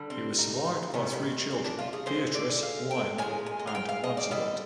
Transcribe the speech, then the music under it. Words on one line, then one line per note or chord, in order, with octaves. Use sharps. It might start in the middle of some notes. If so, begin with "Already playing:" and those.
He was survived by three children, Beatrice, Lionel and Lancelot.
Already playing: D3 G3
C4
D#4
C3 D#3 G3
C4
D4
F4
G#4
D3 G#3 C5
D5
F5
G5
A#2 G#3 G#5
G#5
D#5
F5
G5
F5
D#5
D5
D3 G3 D#5